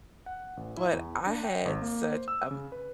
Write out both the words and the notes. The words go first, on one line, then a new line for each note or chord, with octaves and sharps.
but I had such am
F#5
A1
E4
E2
D4
G5
G#1
A#3
C5
E6
C#3
B4